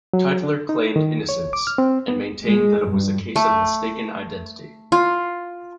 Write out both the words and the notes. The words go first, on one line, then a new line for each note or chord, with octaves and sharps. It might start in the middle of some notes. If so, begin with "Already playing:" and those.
Tytler claimed innocence, and maintained that it was a case of mistaken identity.
F#3
D4
D#4
D#3
C#5
D6
F6
C4
B3
G#3
G2
A3
F4